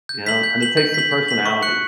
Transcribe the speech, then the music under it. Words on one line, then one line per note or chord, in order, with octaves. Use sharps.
you know? And it takes some personality.
G6
B6 F#7
G6
B6 F#7
G6
B6 F#7
G6
B6 F#7
C#6
F#6 C#7 F#7